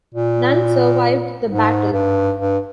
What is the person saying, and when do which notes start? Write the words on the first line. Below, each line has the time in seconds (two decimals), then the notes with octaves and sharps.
None survived the battle.
0.14 A#2
1.48 G#2
1.93 G2
2.38 G2